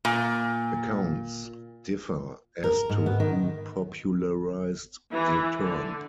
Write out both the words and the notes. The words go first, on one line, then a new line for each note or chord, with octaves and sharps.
Accounts differ as to who popularized the term.
A#2
A#4
G#2
B3
D#3
E3
D3